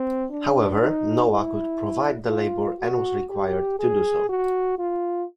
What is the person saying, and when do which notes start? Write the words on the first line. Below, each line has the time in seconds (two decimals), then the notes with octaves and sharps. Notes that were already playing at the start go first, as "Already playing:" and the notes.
However, Noah could provide the labor and was required to do so.
Already playing: C4
0.31 D4
0.80 D#4
1.30 E4
2.30 F4
2.79 F#4
3.30 G4
3.79 G#4
4.29 F#4
4.79 F4